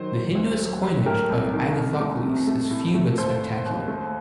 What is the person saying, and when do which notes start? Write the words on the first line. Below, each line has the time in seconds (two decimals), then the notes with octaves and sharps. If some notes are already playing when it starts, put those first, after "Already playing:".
The Hinduist coinage of Agathocles is few but spectacular.
Already playing: D#3 F#3 C5
0.12 F#3
0.35 D2
0.59 F#3
0.82 F#3
1.06 A3 G4 A#4
1.30 C2
1.53 D#3
1.76 C2
2.00 A3
2.24 C3
2.47 A3
2.71 A2
2.94 A3
3.18 D#2 A4 C5
3.41 D#2
3.65 D#2
3.88 A3